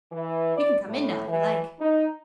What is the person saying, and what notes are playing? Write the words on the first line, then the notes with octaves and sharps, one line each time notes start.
"You can come in now, if you like."
E3
D5
A2
E3
D#4